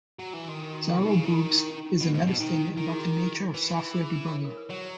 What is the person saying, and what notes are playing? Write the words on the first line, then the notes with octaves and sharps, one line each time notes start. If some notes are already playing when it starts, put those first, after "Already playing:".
"Zarro Boogs" is a meta-statement about the nature of software debugging.
F#3
E3
D#3 F#4
A#4
F#4
E4
B2
D#4
C#3
D#3 E4
D#4
D#4
C#4
C#4
B2
G#2
B2
D#3 D#4
D#4
E4
D#3 E4
G#4
F#4
E3
G#4
B4
C#5
A#4
B4
F#3 C#5